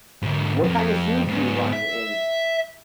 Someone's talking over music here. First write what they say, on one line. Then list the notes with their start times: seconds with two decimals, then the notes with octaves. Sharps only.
What kind of shoes do you run in?
0.22 G#2 D3
0.64 F2
1.28 G#2 B3
1.73 E5